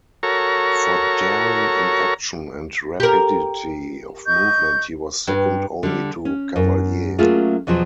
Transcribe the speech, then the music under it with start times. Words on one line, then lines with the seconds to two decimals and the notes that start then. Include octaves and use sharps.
For daring in action and rapidity of movement he was second only to Cavalier.
0.23 F#4 A4 A#4 C#5 A#5 C#6
3.00 G4 A#4
4.26 D#5 C#6 G6
5.27 G2
5.83 D3 G3
6.25 C#4
6.56 F#2
7.18 F#3 A3 A#3 C#4 F4 G#4
7.67 E2 B2 F3 F#3